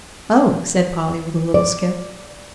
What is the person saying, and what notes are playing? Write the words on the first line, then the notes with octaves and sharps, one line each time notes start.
"Oh!" said Polly, with a little skip.
D5